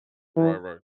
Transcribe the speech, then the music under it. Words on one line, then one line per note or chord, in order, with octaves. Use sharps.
Right, right.
E3